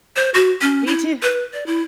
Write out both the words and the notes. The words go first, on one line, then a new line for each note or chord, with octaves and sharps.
Me too.
C5
F#4
C#4
E4
B4
D5
E4